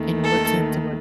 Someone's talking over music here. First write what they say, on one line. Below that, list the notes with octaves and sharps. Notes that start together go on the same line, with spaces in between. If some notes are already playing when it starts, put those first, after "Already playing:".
And what tend to work?
Already playing: D#2 D#3 A3
A4